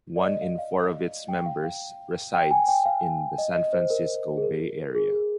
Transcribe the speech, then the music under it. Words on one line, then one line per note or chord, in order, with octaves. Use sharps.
One in four of its members resides in the San Francisco Bay Area.
D5
D#5
F5
F5
G5
F5
F5
G5
G#5
G5
F5
D#5
D#5
C5
A#4
G#4
A#4
G#4
G#4